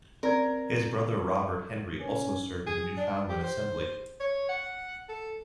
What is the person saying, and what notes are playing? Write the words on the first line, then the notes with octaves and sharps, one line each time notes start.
His brother Robert Henry also served in the Newfoundland assembly.
C4 A#4 D5 A#5 G#6
C#4
G#4
D4
G4
C5
C#5
F#5
A4